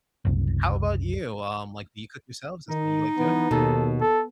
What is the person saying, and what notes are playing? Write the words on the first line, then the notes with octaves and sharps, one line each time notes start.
How about you, um, like do you cook yourselves? Is that something you like doing?
F#1 C2
D#3 D#4
E3 B3
D#2 B2 A4
A4